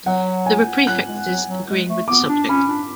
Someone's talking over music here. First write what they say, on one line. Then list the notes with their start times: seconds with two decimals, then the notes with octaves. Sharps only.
There are prefixes agreeing with the subject.
0.06 F#3 F#5
0.46 G#5
0.86 F#3 F#6
1.07 G#3
1.28 F#3
1.48 F#3
1.68 G#3
1.89 A3
2.08 B3 D6
2.29 D4
2.49 C#4 B5
2.69 D4